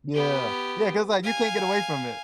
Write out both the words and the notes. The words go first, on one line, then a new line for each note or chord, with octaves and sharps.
Yeah. Yeah, 'cause, like, you can't get away from it,
B3 G4
F5 G#5